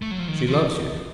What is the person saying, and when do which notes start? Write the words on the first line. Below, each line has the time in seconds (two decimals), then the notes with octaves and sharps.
She loves you.
0.02 A3
0.11 F#3
0.19 F3
0.28 D#3
0.47 F3